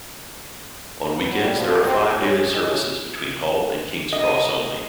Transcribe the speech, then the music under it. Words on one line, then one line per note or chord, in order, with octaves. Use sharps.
On weekends there are five daily services between Hull and King's Cross only.
B4
F#3
G3
F3
E2
C4
G#4
C#4
G#4
D#3
A2
D#5